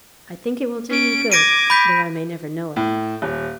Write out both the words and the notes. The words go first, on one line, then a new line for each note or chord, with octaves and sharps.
I think it will do you good, though I may never know it.
C#4 D7
D6 G#6 A#6 D7 D#7
B5 G6 B6
A2
D#1